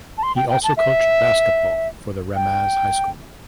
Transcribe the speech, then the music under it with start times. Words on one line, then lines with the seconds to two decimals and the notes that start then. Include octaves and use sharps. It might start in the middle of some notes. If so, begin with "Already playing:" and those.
He also coached basketball for the Ramaz High School.
0.18 A5
0.23 C6
0.36 G5
0.49 G5
0.64 A5
0.77 E5
2.36 G5